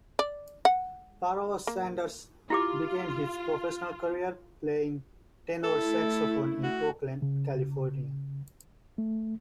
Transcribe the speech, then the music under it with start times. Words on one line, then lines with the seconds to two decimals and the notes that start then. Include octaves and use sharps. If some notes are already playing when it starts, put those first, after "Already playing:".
Pharoah Sanders began his professional career playing tenor saxophone in Oakland, California.
0.19 D5
0.65 F#5
1.67 A#3
2.50 E4 F4 G4 D6
5.64 A3 E4 A4
6.63 F#4
7.22 C#3
8.98 A3